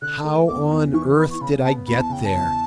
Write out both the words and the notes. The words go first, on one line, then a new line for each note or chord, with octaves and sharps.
How on earth did I get there?
D3 F#6
A3
E2 D6
E2
E3 C#6
B3 B5
C#6
C#3 B5
B3 A5
E2 B5
A5
C#3 G5
A5
E2